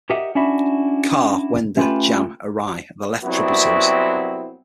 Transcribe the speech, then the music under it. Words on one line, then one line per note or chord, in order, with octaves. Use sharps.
Kar, Wena, Jam, Erai are the left tributaries.
G4 A#4 D#5 E5 F#5
C#4 D4 E4 F#4 E5 B5
A3 C#4 F4 G4 A4 B4
C2 F#3 B3 C4 E4 F#4